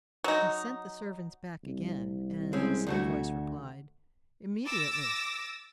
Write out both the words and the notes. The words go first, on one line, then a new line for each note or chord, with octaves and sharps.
He sent the servants back again, and the same voice replied, 'Immediately.'
F#3 D#4
C2
G#3 C4 C#4
D2 A3 F#4
D6 E6 A6 A#6